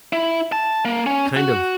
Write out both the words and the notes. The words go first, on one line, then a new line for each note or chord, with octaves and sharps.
kind of
E4
A5
A#3
C#4
F#4